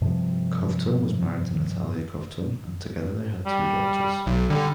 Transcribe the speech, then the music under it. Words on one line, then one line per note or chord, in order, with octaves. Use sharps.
Kovtun was married to Natalia Kovtun and together they had two daughters.
G2 C3 F3
G3
B1
D3 G3